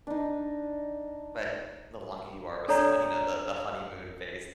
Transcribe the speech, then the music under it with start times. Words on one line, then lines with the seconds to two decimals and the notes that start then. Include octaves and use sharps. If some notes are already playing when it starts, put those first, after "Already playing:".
But the longer you are with someone, you know, the the honeymoon phase
0.07 D4 D#4
2.68 D4 A4 C#5 D5 A#5